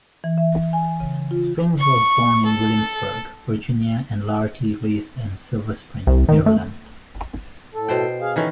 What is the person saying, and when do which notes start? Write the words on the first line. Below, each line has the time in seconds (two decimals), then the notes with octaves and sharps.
Springs was born in Williamsburg, Virginia, and largely raised in Silver Spring, Maryland.
0.24 E3
0.38 E5
0.73 G#5
1.00 C#3
1.31 F4
1.78 C#6
2.44 A4
6.07 C2
6.29 D#3
6.46 A3
7.74 A2 A4
7.88 B2 C5 G5
8.21 G#4 F5
8.36 D#3 E3 C#4 A4